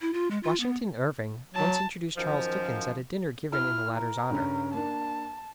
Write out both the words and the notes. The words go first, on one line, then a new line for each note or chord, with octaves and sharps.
Washington Irving once introduced Charles Dickens at a dinner given in the latter's honor.
E4
F4
G#3
F4
B3
F#3 A5
F#2 D#3 F3
E4 F6
A#4
G2 C#3 C#4
A#3 D4 A5